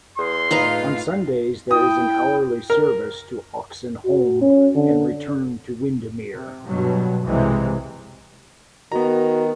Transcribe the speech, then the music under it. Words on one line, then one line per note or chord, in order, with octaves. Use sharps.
On Sundays there is an hourly service to Oxenholme and return to Windermere.
E2 C6
A2 D#4 F4 B4 F5 A#5
E4 G5 D#6
A#4
F#4
C#4
D3
C3
G2 B2 F#3
C2 C3 E3 G#3
D#3 B3 F#4 A#5